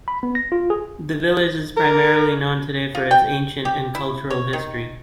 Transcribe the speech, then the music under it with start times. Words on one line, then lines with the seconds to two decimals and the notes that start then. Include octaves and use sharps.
The village is primarily known today for its ancient and cultural history.
0.08 B5
0.23 B3
0.35 A#6
0.52 F4
0.70 G#4
1.77 A#4
2.95 F4
3.11 G5
3.65 G4
3.95 E4
4.30 C#5
4.53 D#3